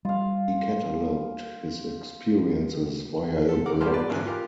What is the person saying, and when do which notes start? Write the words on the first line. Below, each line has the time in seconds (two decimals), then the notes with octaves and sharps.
He catalogued his experiences via a blog.
0.05 G3 F4 F5
3.49 A4
3.66 A#4 F#5 D6
3.81 G2 B2 G4 B4 C6 F6
3.94 B4 D5
4.09 G#1 E2 G#2 D3 G#5 F#6
4.25 F4 G4 A#4